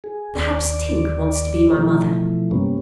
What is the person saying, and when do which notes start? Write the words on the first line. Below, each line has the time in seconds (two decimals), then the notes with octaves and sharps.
'Perhaps Tink wants to be my mother?'
0.04 G#4
0.35 D#2 D5
1.77 B2 E3 F3 A3
2.51 G2 C3 G3 A#3 B3 C#4